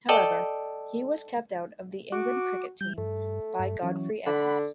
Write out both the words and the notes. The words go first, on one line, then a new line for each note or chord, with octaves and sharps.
However, he was kept out of the England cricket team by Godfrey Evans.
A4 D5 D#5 G5
F#4 D6
G3 G6
G2 A3
G2
E3 F#3 C#4
D3 F#5 B5